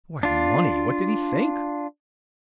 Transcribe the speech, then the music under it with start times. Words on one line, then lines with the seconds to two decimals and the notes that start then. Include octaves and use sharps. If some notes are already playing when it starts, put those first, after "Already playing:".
Why, money; what did he think?
0.23 D4 F4